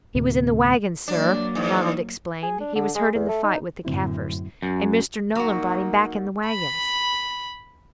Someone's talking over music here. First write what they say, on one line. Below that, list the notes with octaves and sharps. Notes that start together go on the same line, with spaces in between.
"He was in the waggon, sir," Ronald explained; "he was hurt in the fight with the Kaffirs, and Mr. Nolan brought him back in the waggons."
D2 A2 C3
F#3 A#3 D4
E2 G#2
G#4
D4
D3
G#3
E2
A3
D#4
F#2 A2 D3 C4 E4
F#2
F#3 A#3 D#4 F#4
B5